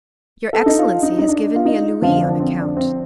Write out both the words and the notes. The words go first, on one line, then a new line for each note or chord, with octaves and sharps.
"Your excellency has given me a louis on account."
A4
D#4
F4
D#4
D#4
D4
F4
D#4
F2 D3 F3 F4
D4
C4
D4
C4